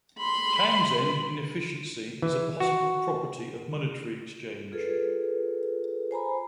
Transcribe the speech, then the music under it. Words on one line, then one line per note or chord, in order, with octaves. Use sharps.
Townsend inefficiency is a possible property of monetary exchange.
B5 C6
E3
F#4
F4 G#4 A4 B4
C5 G#5 A#5 B5